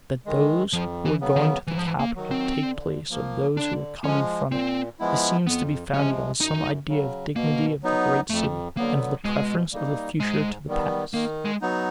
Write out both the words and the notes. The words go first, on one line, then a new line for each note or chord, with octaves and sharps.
That those who are going to the capital take place of those who are coming from it; this seems to be founded on some idea of dignity of the great city, and of the preference of the future to the past.
D#3 G#3
F2 F3
E3
C#3 F#3 B3
D#3
G#2 E3
F3
E3
A#3
D#3 F#3
C4
D3
F3 A#3
D3 D4
F3 G#3 C#4
A#2 C4
F3 G#3 B3 E4
F2 B3
C3 F3 G#3 C#4
F#2 D#4
C#3 F#3
B2 A#3
F#3 B3 D#4
F2 A3
D3 F#3 A#3 B3
B2 G#3
G3 A#3 D#4
G#2 G#3
D#3 G3 B3
D#3 A#3
G#3
F#3 B3 D#4